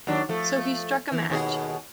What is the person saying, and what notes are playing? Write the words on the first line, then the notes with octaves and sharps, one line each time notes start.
So he struck a match.
D#2 F#3 D4
F3 A3
E3
D#2 B2 G#4